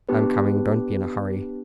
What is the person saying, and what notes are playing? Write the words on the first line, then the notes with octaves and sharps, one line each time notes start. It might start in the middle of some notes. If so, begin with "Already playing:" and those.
I'm coming; don't be in a hurry.
B3 D4 G4 B4